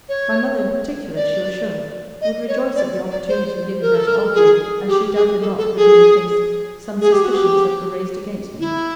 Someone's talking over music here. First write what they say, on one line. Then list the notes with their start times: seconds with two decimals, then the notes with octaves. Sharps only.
My mother in particular, she was sure, would rejoice at the opportunity given her to obviate, as she doubted not would be the case, some suspicions that were raised against me.
0.09 C#5
1.16 D5
2.21 D#5
2.48 C#5
2.76 D5
3.11 D5
3.28 C5
3.82 A#4
3.95 A4
4.07 A#4
4.34 G#4
4.88 G4
5.14 G#4
5.41 A4
5.58 A4
5.77 G#4
7.01 G#4
7.12 G4
7.23 F#4
7.34 G4
8.60 E4